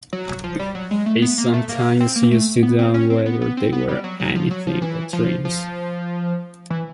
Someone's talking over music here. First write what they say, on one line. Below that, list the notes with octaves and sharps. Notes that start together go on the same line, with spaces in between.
I sometimes used to doubt whether they were anything but dreams.
F#3
F3
G3
F#3
G#3
A3
B3
A#3
A3
A#3
C4
A#3
A3
B3
C4
C#4
C4
B3
B3
C4
B3
G3
F#3
F#3
F3
F#3
F3
E3
F3
F3
E3